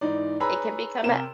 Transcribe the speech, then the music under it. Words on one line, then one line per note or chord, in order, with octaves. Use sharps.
it can become a
G#2 E3 D#4 D5
G#4 B4 C#5 A#5 B5 E6
C3 C4 A#4 E7